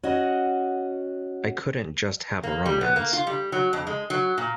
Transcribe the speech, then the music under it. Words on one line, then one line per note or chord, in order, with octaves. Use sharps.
I couldn't just have a romance.
C#4 F#4 D#5 F#5
A#3
G3
B3
A#3
F4
G3
F#3
F2
G#3
F#3
A#2